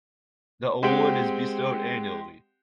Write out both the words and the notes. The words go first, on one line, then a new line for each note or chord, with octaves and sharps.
The award is bestowed annually.
G#3 C4 G4 F#5 G5